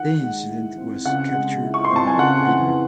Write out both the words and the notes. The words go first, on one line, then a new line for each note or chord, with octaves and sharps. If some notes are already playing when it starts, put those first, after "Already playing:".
The incident was captured on video.
Already playing: D#3 F#5
G#3
E4
C4
C#3 F#5
G#3
E4
C#6
C6
C4
A5
G#5
C#3 F#5
E3